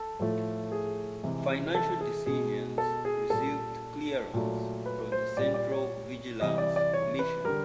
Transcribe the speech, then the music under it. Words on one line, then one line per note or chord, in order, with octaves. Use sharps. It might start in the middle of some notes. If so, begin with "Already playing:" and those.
Financial decisions received clearance from the Central Vigilance commission.
Already playing: A4
A2 F3 A3
G#4
C3 E3 G#3
A4
G#4
B2 G#3 G#4
A4
G#4
A#2 G3 A4
A#2 F#3 A3
B4
C5
A#2 G3 D5
D5
C#5
C3 E3 G3 D#5
D5
D5
C#5
B4
D3 G3 A#4